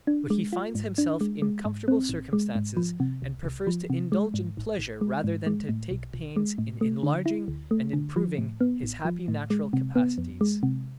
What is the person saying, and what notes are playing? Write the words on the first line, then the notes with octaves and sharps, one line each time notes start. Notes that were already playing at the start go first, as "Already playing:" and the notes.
But he finds himself in comfortable circumstances and prefers to indulge in pleasure rather than to take pains in enlarging and improving his happy natural capacities.
D4
G#3
F4
G#2
D4
G#3
G#3
G#2
C4
A1
G#3
G#2
F3
C3
C2
C2
F3
C3
G#3
G#2
A1
A1
G#3
G#2
G#3
A2
B1
B1
G#3
A2
A3
D3
E4
D2
A3
D3
F3
A2
B3
A1
F3
A2
G#3
C3
B3
F2
G#3
C3